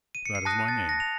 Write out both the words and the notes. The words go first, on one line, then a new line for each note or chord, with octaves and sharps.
"That is my name."
D#7
C#7
C7
A5 D#6 F#6 A#6
A6
A#6
F7